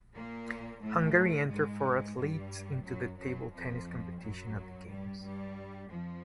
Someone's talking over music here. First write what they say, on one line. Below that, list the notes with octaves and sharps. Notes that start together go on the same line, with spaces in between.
Hungary entered four athletes into the table tennis competition at the games.
A#2 A#3
A2 A3
G#2 G#3
G2 G3
F#2 F#3
F#2 F#3
F2 F3
F#2 F#3
G2 G3
G2 G3
F2 F3